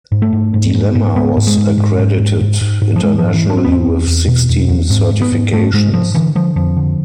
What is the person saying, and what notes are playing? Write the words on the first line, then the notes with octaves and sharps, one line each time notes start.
"Dilemma" was accredited internationally with sixteen certifications.
G#2
A3
G#2
G#2
G#2
G#2
G#2 B3
G#2
G#3
G#2
G#2
G#2
G#2
G#2
G#2
G#2
F3
G#2 G#3
F3
G#2
E3
G#2
D4
C4
E2 B3
C4
E2
E2
B2
E2
E2
G#2 C4
G#2
B3
G#2
G#2 A3
G#2 G#3
G#2 F3
D3 E3
D3 F3
F2 F3
D3